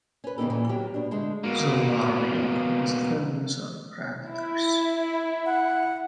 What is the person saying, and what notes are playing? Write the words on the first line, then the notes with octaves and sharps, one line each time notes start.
The larvae of most families are predators.
C#4 B4
C#3 E3 B3 D#4 G4 A4
A#2 E3 A4
F#3 B3 G4
B2 D4
D3 G#3 A3
B2 A#3
E4
F#5